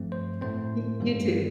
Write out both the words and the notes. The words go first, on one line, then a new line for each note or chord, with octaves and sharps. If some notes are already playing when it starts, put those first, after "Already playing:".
Y you too.
Already playing: G2 F3 A3 C4
C5
A2 A3 C4 C5
G2 D#3 G3 A#3